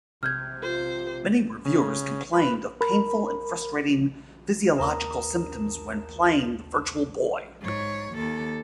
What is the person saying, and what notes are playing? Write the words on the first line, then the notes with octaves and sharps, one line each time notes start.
Many reviewers complained of painful and frustrating physiological symptoms when playing the Virtual Boy.
C3 F6 G6 G#6
F4 C5
C#3
B4
A#4 B5
D#2 A#4 A5 A#5 D#6 E7
G#2 C#5
D#2 A4